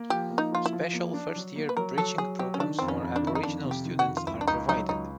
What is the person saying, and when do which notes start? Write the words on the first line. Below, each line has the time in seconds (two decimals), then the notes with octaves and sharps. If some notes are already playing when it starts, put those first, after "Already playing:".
Special first-year bridging programs for Aboriginal students are provided.
Already playing: A#3
0.10 F3 G4
0.31 A#3
0.38 D#4
0.52 F3 F4
0.66 E4
0.73 F3
0.93 A#3
1.14 D4
1.36 F#3
1.56 A#3
1.69 B4
1.77 F#3 A#4
1.97 F#3 A4
2.18 F#3 G#4
2.39 F#3 G4
2.54 C#4
2.60 D#3 D4
2.79 F2 C4
2.88 C#4
3.02 F2
3.16 D4
3.23 D#3 E4
3.35 D#4
3.43 F2 D4
3.64 C3
3.71 G4
3.85 D#3
3.99 F#4
4.05 F2
4.17 F4
4.27 C#2 E4
4.41 D4
4.47 C#2 D#4
4.68 F#3 D#4
4.89 C#2 D#4